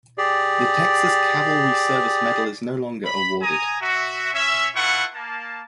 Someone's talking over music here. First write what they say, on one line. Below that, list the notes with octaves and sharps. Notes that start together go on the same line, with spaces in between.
The Texas Cavalry Service Medal is no longer awarded.
G4 G#4 D5
B5
G#5 A#5 D#6
F#4 E5
C#4 E5
E4 F4 A4 B4 F#5 C#6
A#3 A5